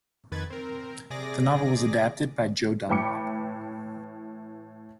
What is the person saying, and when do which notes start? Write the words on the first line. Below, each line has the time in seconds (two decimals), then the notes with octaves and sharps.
The novel was adapted by Joe Dunlop.
0.32 F2 D#3 B4 G#6 A6
0.50 C4 A#4
1.10 C3 G#4 D5 D6 A#6
2.89 A2 E3 G5 B5 D6 C#7